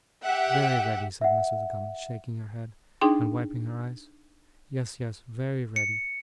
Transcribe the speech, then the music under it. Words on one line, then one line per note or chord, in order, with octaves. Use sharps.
'Very ready,' said Mrs. Gummidge, shaking her head, and wiping her eyes. 'Yes, yes, very ready.
G4 E5 F#5
E5 F#5
D4 D#4 G#4 G5 C6
C#7